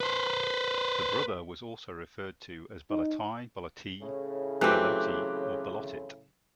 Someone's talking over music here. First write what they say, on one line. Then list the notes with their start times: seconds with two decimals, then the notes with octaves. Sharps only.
The brother was also referred to as "Belloti", "Belloty", "Beloty", or "Bellottit".
0.01 B4 C5
2.90 D#4
4.01 A2 C#3
4.61 E3 F#3 A3 C4 G4 D6 F#6